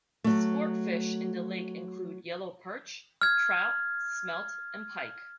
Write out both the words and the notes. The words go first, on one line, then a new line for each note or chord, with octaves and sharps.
Sportfish in the lake include yellow perch, trout, smelt and pike.
F#3 A3
F6 G#6